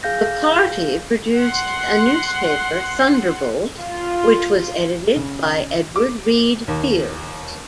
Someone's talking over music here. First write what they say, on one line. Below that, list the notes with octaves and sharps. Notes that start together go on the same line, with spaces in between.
The party produced a newspaper, "Thunderbolt", which was edited by Edward Reed Fields.
G#4 F5 G6 A#6
F#5 C6
F4
C#3
D6
D#2